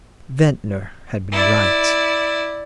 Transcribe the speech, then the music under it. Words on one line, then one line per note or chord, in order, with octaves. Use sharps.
Ventnor had been right.
E4 D5